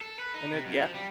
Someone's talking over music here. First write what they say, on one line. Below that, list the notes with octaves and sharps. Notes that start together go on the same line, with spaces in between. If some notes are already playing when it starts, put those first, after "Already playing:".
and it yeah.
A4
B4
D#4
C3
F#2
F3
G3